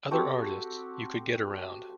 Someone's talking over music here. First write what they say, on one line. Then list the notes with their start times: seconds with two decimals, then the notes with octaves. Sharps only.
Other artists, you could get around.
0.11 C4 F#4 G4 A4